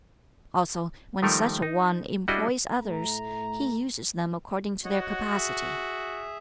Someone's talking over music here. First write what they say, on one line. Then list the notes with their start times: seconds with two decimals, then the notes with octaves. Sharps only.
Also, when such a one employs others, he uses them according to their capacity.
1.22 D#3 F3 G3 A3 D#4 A#4
1.62 D#4
2.28 G3 D4 E4 F#4 G#4 D#5
2.82 A2 A3 A#5
4.85 F#4 C#5 D#5 F#5
5.31 G#4 E5